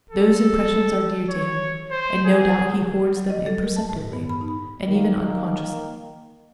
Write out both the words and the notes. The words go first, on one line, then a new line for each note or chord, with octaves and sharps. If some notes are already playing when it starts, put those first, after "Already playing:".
Those impressions are dear to him and no doubt he hoards them imperceptibly, and even unconsciously.
A4
C#5
C5
G#4
F#3
D#5
A4
A#4
A5
A2
G2
B3
B5
D#4
D#3 A#3